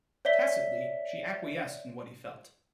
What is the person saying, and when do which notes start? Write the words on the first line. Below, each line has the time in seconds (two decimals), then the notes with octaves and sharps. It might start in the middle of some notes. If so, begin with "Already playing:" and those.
Tacitly, she acquiesced in what he felt.
0.25 C#5 D5 E5 B6 G7